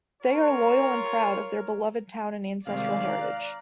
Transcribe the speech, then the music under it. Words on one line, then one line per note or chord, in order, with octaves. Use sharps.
They are loyal and proud of their beloved town and ancestral heritage.
F4 A#4 C#5
C3 D#3 G#3 D5 F5
A#5 F#6